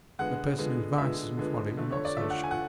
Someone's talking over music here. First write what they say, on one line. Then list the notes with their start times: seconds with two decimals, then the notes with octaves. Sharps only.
A person whose vices and follies are not sociable.
0.19 D3 G#3 B3 F#5
0.58 D3 G#3 B3
0.98 D3 G#3 B3 E5
1.37 D3 G#3 B3
1.77 D3 A3
1.92 C#5
2.05 D5
2.17 D3 A3 E5
2.30 F#5
2.43 G#5
2.51 F#5